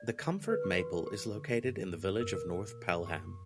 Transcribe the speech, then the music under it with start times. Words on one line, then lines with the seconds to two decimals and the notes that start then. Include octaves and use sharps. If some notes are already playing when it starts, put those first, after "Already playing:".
The Comfort Maple is located in the village of North Pelham.
Already playing: D5
0.21 D3
0.30 E3
0.40 D3
0.50 B4
0.64 G4
0.78 E3 F#4
1.06 G4
1.35 D3
1.50 B2
1.63 G2
2.21 F#2 A#4
2.30 C#3
2.35 A#4
2.40 A#2
3.02 G2
3.06 F#2 G4